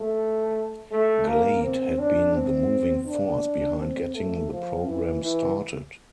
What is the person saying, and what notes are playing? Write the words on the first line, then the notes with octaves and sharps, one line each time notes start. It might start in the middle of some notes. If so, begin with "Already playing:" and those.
Glade had been the moving force behind getting the program started.
Already playing: A3
A3
A#3
C4
D4
C4
D4
C4
A3
F3
E3
E3